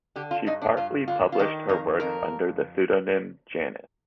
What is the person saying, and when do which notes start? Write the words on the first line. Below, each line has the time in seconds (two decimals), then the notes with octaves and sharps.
She partly published her works under the pseudonym "Janus".
0.16 D3 G4
0.31 F4
0.46 G2 D#4
0.62 D4
0.77 G2 F4
1.08 D3 F4
1.32 F4
1.39 D#3 G4
1.69 F2 A#4
2.00 F2 A#4